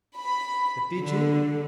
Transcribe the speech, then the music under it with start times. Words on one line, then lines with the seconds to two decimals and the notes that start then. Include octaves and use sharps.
"But did you?"
0.19 B5
0.99 D3